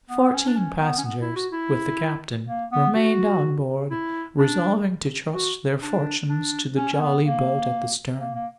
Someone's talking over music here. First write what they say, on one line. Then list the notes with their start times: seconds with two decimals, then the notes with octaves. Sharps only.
Fourteen passengers, with the captain, remained on board, resolving to trust their fortunes to the jolly-boat at the stern.
0.09 B3
0.25 B3
0.34 C#4
0.47 D4
0.56 C#4
0.80 B3
0.98 C#4
1.04 B3
1.21 E4
1.36 F#4
1.52 E4
2.47 A#3
2.72 B3
2.95 F#4
3.91 E4
4.39 D4
5.34 F#4
5.82 D4
6.29 D4
6.77 C#4
6.92 C#4
7.00 B3
7.24 A#3
8.19 A#3
8.35 A#3